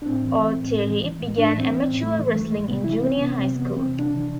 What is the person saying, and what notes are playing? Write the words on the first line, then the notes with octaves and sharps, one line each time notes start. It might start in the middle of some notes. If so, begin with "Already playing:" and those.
Altieri began amateur wrestling in junior high school.
D4
A2 C4
E3
E3
A2
A2
E3
E3
A2
A2 D4
E3
C4
E3
C4
A2
A2 A3
E3
E3 A3
A2
C3 B3
E3 E4
E3 C4
C3 B3
C3 C4
E3
B3
E3
C4
C3
C3 D4
E3